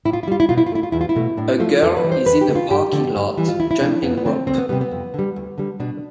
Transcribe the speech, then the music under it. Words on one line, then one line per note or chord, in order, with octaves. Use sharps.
A girl is in a parking lot jumping rope.
A2 E4
F4
E4
G3 F4
E4
B2 F4
E4
F4
A3 E4
F4
E2 E4
F4
E4
B2 A3
A2 D4
F3 A3 F4
F2 A4
B4
E3 G3
C5
E2 B4
G4
D3 A3
F4
G2 G4
D3 F3 A3
G2
E3 G3
F4
D2 E4
E4
C3 F3 A3 D4
F2 B3
B3
D3 F3 A3 C4
D2 C4
B3
C3 G3 B3
B3
F2
D3 G3
D2
D3 G3
B2 D4